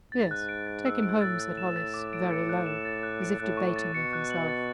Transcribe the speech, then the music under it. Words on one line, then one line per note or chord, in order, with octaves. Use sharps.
"Yes, take him home," said Hollis, very low, as if debating with himself.
G#2 A6
F#6
D7
A6
E6
D7
A2 A6
F#6
E7
A6
D6
D7
C#7
F#6
E7
A6
F#6
D7
A2 F#6
C#6
A6
B2 C#7
F#6
F#7
A6